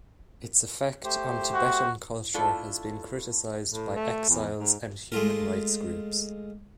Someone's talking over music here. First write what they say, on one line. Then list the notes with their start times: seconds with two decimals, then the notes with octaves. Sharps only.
Its effect on Tibetan culture has been criticized by exiles and human rights groups.
1.04 A3 G4 C5
1.54 F#4
2.34 A3 D4 E4 F4 A4
3.72 A2
3.95 A3
4.29 E2
4.58 G#2
5.12 G#3 A3 F4 A#4